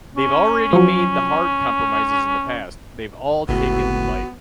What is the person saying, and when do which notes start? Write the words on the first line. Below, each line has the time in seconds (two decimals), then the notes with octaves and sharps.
They've already made the hard compromises in the past; they've all taken life.
0.17 C#4
0.73 F3 F#3
3.49 G1 C#2 A2 B3 F#4